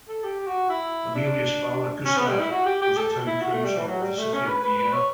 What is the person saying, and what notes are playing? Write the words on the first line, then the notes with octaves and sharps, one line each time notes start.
Emilia's father, Gustav, was a town councillor of the city of Vienna.
A4
G4
F#4
E4
D4
C#4
B3
G3
E4
F#4
G4
G4
A4
E4
F#4
A3
G3
E3
F#3
G3
A3
C#4
B4
B4
B4
C#5